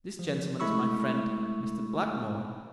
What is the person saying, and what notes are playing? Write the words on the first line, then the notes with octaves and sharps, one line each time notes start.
This gentleman is my friend, Mr. Blackmore.
F3
G#3 A3 E4 B5 C#6 E6